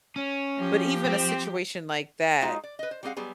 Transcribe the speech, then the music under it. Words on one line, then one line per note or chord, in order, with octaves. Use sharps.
but even a situation like that,
C#4
F3 G4
C4
G#3 D#4 F4 F#4 G#4
D5
B4 D#5
C5
G3 B3 C4 G#4 F5 F#5
F#3 G3 B3 G#4